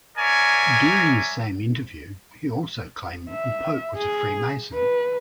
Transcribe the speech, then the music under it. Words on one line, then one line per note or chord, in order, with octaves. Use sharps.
During the same interview, he also claimed that the Pope was a Freemason.
A#4 C#5 D5 E5 G#5
E5
G#4
B4